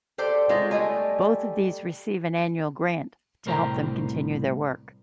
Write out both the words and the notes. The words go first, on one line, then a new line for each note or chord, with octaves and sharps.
Both of these receive an annual grant to help them continue their work.
G4 A4 C5 D5
G#3 F4 C5 C#5
G3 A3 D#5 G#5
C2 A2 A#4 C5 G5 A#5